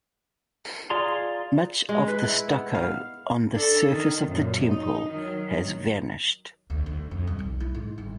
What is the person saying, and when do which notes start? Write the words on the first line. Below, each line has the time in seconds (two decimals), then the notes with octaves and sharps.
Much of the stucco on the surface of the temple has vanished.
0.90 F4 G#4 D5 A#5 C6
1.89 G#3
2.08 B4
2.23 E4
2.48 B3
2.75 F5
3.53 D4 A4
3.89 D#3
4.25 F#2 A#2
4.67 D#4
5.10 D#3 F#3
6.70 D2
6.86 D2
7.11 F2
7.27 D#1
7.39 B1
7.60 E4
7.75 G#2
7.98 G1